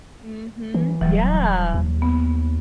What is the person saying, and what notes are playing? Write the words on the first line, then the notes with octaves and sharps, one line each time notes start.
Mhm, yeah.
E3
D#1 E3 F#3 G3
D#2
B3